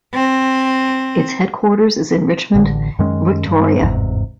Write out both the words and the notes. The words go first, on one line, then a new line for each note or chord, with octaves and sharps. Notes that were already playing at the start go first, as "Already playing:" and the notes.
Its headquarters is in Richmond, Victoria.
C4
A1 D3
F#2 D#3 G#3 C#4
G2
G1 E2 G#2 C3